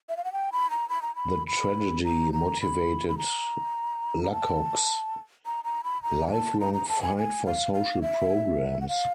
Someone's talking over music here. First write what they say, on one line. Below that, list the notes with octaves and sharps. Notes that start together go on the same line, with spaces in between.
The tragedy motivated Luckock's lifelong fight for social programs.
E5
F5
F#5
G5
B5
A#5
B5
A#5
B5
B5
A#5
A#5
B5
B5
A#5
A#5
A5
A#5
A#5
B5
A#5
G#5
A5
A#5
A#5
A5
G#5
G#5
F5
F5
E5
F#5
F5